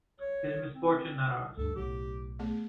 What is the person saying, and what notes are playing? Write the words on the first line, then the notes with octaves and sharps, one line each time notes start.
His misfortune, not ours.
C#5
C4
D2 G2 A4
B1 A2 F#3 G4
A3 B3 G#4